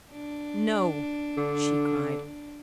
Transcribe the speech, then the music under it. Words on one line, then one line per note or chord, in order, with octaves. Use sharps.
"No!" she cried.
D4
D3